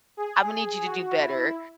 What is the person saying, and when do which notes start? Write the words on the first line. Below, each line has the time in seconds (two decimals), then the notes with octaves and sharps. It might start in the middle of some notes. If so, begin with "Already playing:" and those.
Imma need you to do better.
0.17 G#4
0.86 F#4
1.20 E4